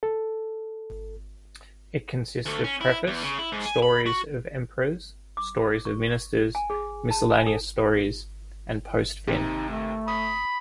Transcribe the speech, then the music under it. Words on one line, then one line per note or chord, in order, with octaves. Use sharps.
It consists of Preface, Stories of Emperors, Stories of Ministers, Miscellaneous Stories and Post-fin.
A4
D2
C#4
E4
E2
C#3
E4
G#2
G#5
B5
F#4
D6
C#6
G#5
G#4
A5
G#5
A4
D#2 C3 D#4
A3
B5 D#6